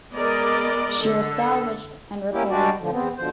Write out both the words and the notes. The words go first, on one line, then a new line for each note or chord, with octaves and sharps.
She was salvaged and repaired.
G#3 B3 A#4 D5 D#5
D3 A4
A#3 C#4 E4 G4
G3 G#3 D4 F#4 G4 D5
A2 D3 F3
E2 B3 C4
B2 D3 F3 C5